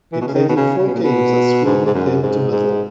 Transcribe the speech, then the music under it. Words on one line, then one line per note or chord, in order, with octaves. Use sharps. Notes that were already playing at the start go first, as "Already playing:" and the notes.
He played in four games as Sweden failed to medal.
E3
B2
C#3
D#3
B2
C#3
C#3
B2
A#2
B2
G#2
G#2
F#2
G#2
G#2